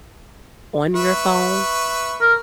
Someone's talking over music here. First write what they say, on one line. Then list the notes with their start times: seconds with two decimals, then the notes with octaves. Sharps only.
on your phone,
0.95 B4 E5 C#6
2.21 A#4